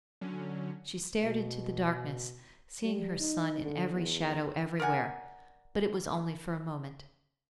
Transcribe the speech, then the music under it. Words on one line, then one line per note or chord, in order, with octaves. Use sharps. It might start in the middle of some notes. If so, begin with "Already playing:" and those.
She stared into the darkness, seeing her son in every shadow everywhere; but it was only for a moment.
D3 F#3 C#4
B2
G3
D#4
D3
E2
A#4 D5 F#5 G#5